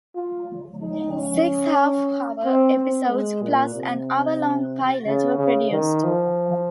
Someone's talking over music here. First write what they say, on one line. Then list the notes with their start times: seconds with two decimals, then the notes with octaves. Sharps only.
Six half-hour episodes plus an hour-long pilot were produced.
0.15 F4
0.81 D#4
1.14 C#4
2.44 C4
2.77 C4
3.10 G#3
3.42 A#2
3.75 C3
5.06 C#3
5.38 C#3
5.71 D#3
6.04 F3